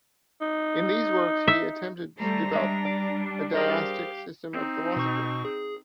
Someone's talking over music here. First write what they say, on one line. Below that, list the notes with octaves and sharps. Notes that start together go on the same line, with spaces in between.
In these works he attempted to develop a Deistic system of philosophy.
D#4
E5
G3 A3 C5 A#5
G3 G#3 D4 E5
D5
G4 G#4 A#4 C5 F5
C4 D#4
B2 C#6
G#4